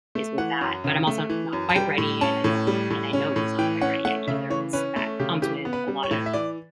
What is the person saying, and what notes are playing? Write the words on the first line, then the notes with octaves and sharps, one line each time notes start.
is with that but I'm also not quite ready, and I don't and I know he's not quite ready yet either 'cause that comes with a lot of
A3
E3 F#5
F#2
C#3
A3
E3
F#2
A5
G3 G5
A2
C#4 A5
A2
G3
A2
C#4
A2
E3 G5
C#4 F#5
A3 F#5
C#3 E5
E3 C#5
C#4 B4
A3 A4
C#3 G4
E3 G4
B3
B4
G3
C#5
A2
E5
E3 D5